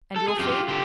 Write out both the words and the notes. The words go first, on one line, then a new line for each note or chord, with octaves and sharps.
"And your fee?"
A4
G#4
F#2 F4 G4
D3 F4 G4